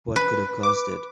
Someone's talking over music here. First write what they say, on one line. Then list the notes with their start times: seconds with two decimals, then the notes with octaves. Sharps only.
What could have caused it?
0.16 B4
0.63 D6